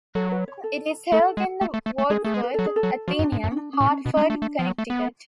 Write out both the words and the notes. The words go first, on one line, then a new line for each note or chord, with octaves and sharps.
It is held in the Wadsworth Atheneum, Hartford, Connecticut.
F#3 A4
B4
C#5
A4
A3 A4
G#3
A3
A3
A3
A3
G#3 G#4
A3 G#4
G#3
B4
F#3 A4
G#4
A4
F#3
F3 F#4
F#2
D4
G#2
F#2
C#4
D4
C#4
A2
C#4
B2 D4
C#4
G#3
D4
A3
A3
F3
F#3
A3
B3